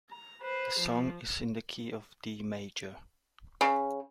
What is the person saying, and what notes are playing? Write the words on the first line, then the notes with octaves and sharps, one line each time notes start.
The song is in the key of D major.
A#5
B4 C5
F3
C#3